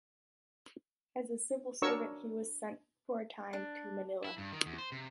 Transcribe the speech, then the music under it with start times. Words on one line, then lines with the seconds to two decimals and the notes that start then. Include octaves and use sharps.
As a civil servant, he was sent for a time to Manila.
1.82 D4 F#4 A#4 C#5 C#6 E6
3.53 D4
4.25 E4
4.38 G2
4.52 D#3
4.66 E2
4.78 C5
4.92 C3